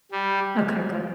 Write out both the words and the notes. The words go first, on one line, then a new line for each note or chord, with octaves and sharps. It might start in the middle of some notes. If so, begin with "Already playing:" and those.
Okay, good.
G3